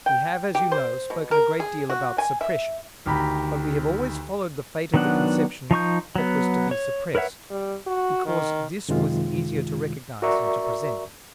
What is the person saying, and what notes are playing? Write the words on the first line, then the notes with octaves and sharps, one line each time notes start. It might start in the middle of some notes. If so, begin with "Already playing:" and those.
We have, as you know, spoken a great deal about suppression, but we have always followed the fate of the conception that was to be suppressed, because this was easier to recognize and to present.
G5
G4
C5
B2
A#4
G#4
F#4
G#5
E5
D2 D#3 G4 A#5 B5
D#3 F#3 B3 D4 F#5
F3 D#4 C#6 G6
F#3 B3
C#5
A#4 B4 C#5 E5 F#5
G3
F#4
D#3
F#2 C3 D#3 G#3 F4
F#4 A#4 D5 E5 A#5 C#6